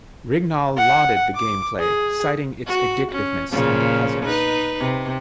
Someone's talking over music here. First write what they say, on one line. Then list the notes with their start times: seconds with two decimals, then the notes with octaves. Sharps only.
Rignall lauded the gameplay, citing its addictiveness and the puzzles.
0.77 F#5
1.35 D6
1.80 G#4
2.66 F#4
3.11 C#4
3.52 A#2 C#3 F3
4.24 D#4 B4
4.80 C3